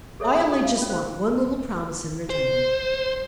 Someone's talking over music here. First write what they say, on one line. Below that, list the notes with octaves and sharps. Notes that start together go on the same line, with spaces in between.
"I only just want one little promise in return."
G#4 A4 C#5 E5
F4 G#5 D#6
D#4 F#4 G5 D#6
F5
C#4 B5
C5
C5